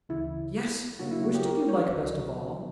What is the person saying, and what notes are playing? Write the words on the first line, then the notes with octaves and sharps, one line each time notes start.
"Yes! which did you like best of all?"
D2 C#3 E3 E4
C#3 F#3 A#3 D4 F#4
E4
F#4
G4
A#4
C#5
C#2 C#3 F#3 F#4